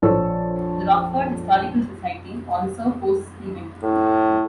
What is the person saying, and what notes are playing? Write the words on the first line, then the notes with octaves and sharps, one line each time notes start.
The Rockford Historical Society also hosts events.
A#1 F3 A4 C5 C#5 E6
A2